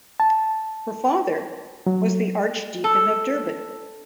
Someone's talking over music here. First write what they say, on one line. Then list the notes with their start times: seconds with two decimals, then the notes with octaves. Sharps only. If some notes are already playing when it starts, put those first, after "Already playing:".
Her father was the Archdeacon of Durban.
0.20 A5
1.87 F#3
2.84 A4